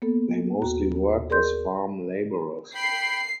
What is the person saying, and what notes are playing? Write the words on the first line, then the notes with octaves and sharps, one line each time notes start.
They mostly work as farm labourers.
A#3 B3 A4
D#2 F#4 A#5
G#4 A#4 D5 C6 G6
G5 B5 C7